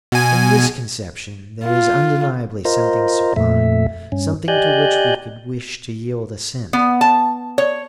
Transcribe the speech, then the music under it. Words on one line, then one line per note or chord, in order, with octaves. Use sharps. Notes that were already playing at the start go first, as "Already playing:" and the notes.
In this conception, there is undeniably something sublime, something to which we could wish to yield assent.
B2 G#5
F4
F4 A#4 C5 D#5
F2 A#2 A3 E5
G2 C#4
G4 D5 D#5 G#5 F#6 G6
B3
A5
C#5